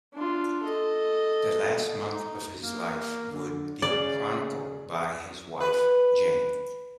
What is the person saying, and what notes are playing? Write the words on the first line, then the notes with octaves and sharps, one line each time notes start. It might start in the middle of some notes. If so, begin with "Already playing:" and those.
The last month of his life would be chronicled by his wife, Jane.
D4 F4
A4 D#5
D#4
A#3
D3
C#3 D5
B4